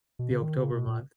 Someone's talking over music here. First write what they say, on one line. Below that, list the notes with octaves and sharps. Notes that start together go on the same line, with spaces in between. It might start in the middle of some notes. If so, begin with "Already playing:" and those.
the October month,
B2
C#3
D#3
C#3
B2
A#2